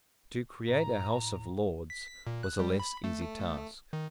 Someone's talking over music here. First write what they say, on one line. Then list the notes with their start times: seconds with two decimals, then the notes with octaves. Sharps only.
To create a House of Lords was a less easy task.
0.70 A2 A#5
1.90 B6
2.27 A#2
2.43 F#6
2.59 G3
2.80 B5
3.04 A3
3.93 D#3